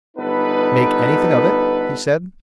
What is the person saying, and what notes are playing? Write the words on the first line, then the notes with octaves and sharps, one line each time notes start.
"Make anything of it?" he said.
G1 B3 D#4 A4 B4